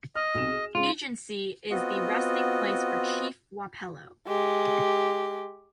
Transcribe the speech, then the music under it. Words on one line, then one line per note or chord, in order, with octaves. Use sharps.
Agency is the resting place for Chief Wapello.
D#5 F6
B1 C3 E7
G#4
C#3 G#3 C#4 F4
B3 C4 F4 F#4 D#5
G#3 G4